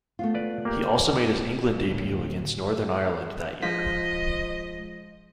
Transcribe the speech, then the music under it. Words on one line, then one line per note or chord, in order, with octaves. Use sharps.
He also made his England debut against Northern Ireland that year.
A3 B3 F4
B4 D5
A#3 G4
D1
F3 G#3 C5 D#5 B6